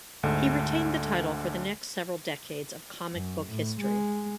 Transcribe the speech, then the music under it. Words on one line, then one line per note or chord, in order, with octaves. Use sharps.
He retained the title for the next several decades of comic book history.
D2 G#2 D3
F#2
A2
G#3